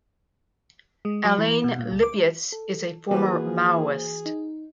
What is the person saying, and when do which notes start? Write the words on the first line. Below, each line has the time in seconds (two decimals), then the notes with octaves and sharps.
Alain Lipietz is a former Maoist.
1.05 G#3
1.25 F#3
1.38 E3
1.64 B2
1.79 A#2
1.91 C#2
2.03 D6
2.52 A4
3.11 E3 A#3 F#4 G#4 B4 C5
4.26 D#4